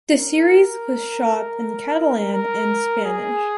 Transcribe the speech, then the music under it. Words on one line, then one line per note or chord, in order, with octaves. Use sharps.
The series was shot in Catalan and Spanish.
A#4
A#4
G#4